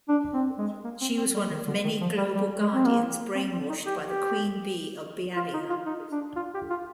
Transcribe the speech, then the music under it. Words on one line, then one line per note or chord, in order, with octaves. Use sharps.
She was one of many Global Guardians brainwashed by the Queen Bee of Bialya.
D4
C4
G#3
A#3
C4
C4
G3
D#3
D3
D#3
F3
G3
G3
G#3
C4
A#3
C4
C4
D#4
G4
G4
F4
D#4
F4
D#4
D4
F4
G4
F4